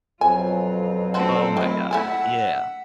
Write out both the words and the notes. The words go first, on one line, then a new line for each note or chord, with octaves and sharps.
oh my god. Yeah.
F2 B2 F#3 F4 G#5
C4 F#4 A4 C5
D#3 A3 C4 E4
A3 E4 E5 F#5 G#5